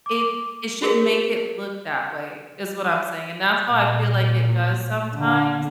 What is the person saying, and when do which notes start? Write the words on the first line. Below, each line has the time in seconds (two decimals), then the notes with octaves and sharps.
it it shouldn't make it look that way is what I'm saying, and that's how I feel like it does sometimes,
0.06 D6
0.82 F#4 G#4 A#4
3.67 A#2
5.15 D3